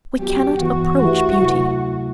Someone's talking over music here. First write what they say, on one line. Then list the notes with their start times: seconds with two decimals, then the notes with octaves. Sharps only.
We cannot approach beauty.
0.19 F#3 B3 F#4 G4
0.59 G2 E3 B3 F#4
1.00 A3 E4 G4 B4 E5
1.41 C3 F#3 A3 E4